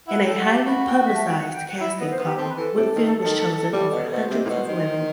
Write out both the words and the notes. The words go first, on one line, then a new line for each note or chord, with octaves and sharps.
In a highly publicized casting call, Whitfield was chosen over hundreds of women.
E4 F#5
A4 G5
F#5
G4
E5
F#4 B5
G5
E5
A5
G5
F#5
G5
F#5
E4 E5
B3 D#5
C5
B3 G4
C4 A4
B4
E3 A4
C3
D#3
D#3
G3
B2
D#5
B2 C5
C3
A2
B2
D#3